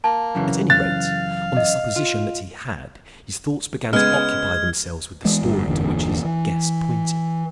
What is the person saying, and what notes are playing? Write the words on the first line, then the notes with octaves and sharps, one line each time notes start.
At any rate, on the supposition that he had, his thoughts began to occupy themselves with the story to which his guess pointed.
A#3 A5
F#2 C#3 E3
F5 F#6 A6
D#5
F4
C#3 G#3 B3 F6 G#6
E3 G#3 B3
G1 G2
G1 E2 A#2 D3
E3